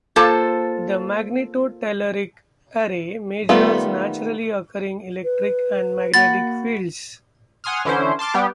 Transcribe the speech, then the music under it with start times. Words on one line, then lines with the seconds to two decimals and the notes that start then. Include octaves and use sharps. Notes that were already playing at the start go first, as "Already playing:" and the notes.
The Magnetotelluric Array measures naturally occurring electric and magnetic fields.
0.16 A#3 F4 A4 C5 A5
3.49 D#3 G3 A3 B3 F4
5.24 B4
6.14 A#3 F#4 B5 A6
7.64 F#5 G#5 C6 D#6 F6
7.85 D3 E3 C#4 E4 C5
8.19 A5 C6 D6 F6
8.34 G3 B3 G4